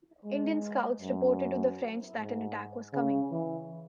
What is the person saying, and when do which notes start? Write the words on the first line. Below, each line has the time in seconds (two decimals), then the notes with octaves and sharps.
Indian scouts reported to the French that an attack was coming.
0.24 G#3
1.01 F#2
2.16 G#2
2.93 C#3
3.31 E3